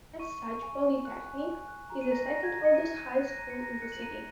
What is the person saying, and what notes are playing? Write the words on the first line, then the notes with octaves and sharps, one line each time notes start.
As such, Polytechnic is the second oldest high school in the city.
C#6 D#7
C#6
G#5
G#5
F#6
G#5
G#5
F#6
A#5
D#7
A#5 A#6
A#6
A#5 A#6
G#6
A#5 A#6
C#7
A#5 D#7
A#5 D#7
F#6
A#6
A#5 D#7
C#7
A#5 A#6
A#6
F#6 C#7
F#7
A#5 D#7